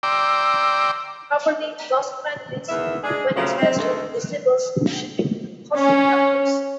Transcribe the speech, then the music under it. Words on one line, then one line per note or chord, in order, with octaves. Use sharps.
Properly, loss quantities, when expressed in decibels, should be positive numbers.
D5 G5 A#5 C6 D6 E6
E2 D#3 E3 E5
G#3 D4 G#4
A#2 C#3 F3 F#3 A3
C4
D2 D#3 G#3 A3
C#4